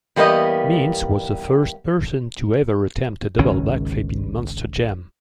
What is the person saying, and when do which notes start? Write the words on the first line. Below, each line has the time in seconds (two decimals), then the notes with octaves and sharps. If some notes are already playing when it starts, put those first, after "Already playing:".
Meents was the first person to ever attempt a double backflip in Monster Jam.
0.16 E2 G3 A#3 B3 D#5
3.38 G#1 C#2 D#3 C#4